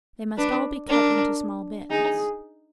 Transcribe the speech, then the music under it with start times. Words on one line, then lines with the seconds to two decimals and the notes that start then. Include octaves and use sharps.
They must all be cut into small bits.
0.38 D4 B4
0.89 D4 A#4
1.91 D#4 G#4